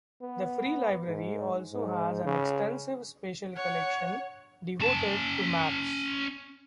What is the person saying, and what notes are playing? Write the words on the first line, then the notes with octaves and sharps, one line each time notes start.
The Free Library also has an extensive special collection devoted to maps.
B3
G#2
G#2
C#3
C#5 F#5
C#4 A5